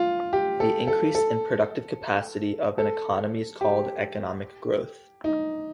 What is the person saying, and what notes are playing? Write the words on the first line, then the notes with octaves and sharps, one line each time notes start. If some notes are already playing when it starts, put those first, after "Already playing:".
The increase in productive capacity of an economy is called economic growth.
Already playing: F4
G4
A4
A4
A4
A4
G4
D#4